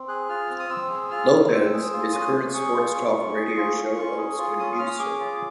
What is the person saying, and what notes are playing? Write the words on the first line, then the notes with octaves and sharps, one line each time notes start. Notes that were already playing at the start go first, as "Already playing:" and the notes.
Lopez is a current sports talk radio show host in Houston.
Already playing: C4
G#4 F#6
F4 F6
C4
D#6
C4 E6
G#4
F4 F6
C4
C4 E6
G#4
F4
C#4 D#6
C#4
G#4 C#6
F4
C#4
C#4
G#4
F4
C#4
C#4
G#4
F4
C#4 D#6
C#4 F6
G#4 D6
F4